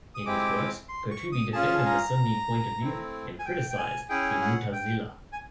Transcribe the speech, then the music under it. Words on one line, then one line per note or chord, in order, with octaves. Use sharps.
In his works, Qurtubi defended the Sunni point of view and criticized the Mu'tazilah.
D#6
G#3 C4 E4 G4 D6
C6
C#6
D#6
C#4 F4 G#4 A5
A5
A#5
A3 C4 E4
G#5
G5
G5
G#5
C#4 E4 G#4 G5
F#5
G5
G#5